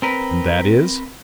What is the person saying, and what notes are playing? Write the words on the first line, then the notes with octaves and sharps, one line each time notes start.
"And that is--?"
C4 A#4 B4